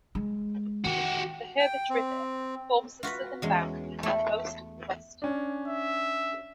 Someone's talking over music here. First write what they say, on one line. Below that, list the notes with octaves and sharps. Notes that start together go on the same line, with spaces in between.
The "Herbert River" forms the southern boundary and most of the western.
G#3
D#3 F#4 G4
G5
C4
F4 F#4 B4 B5
E2 G#3 C#4
A3
C#4 D4
E5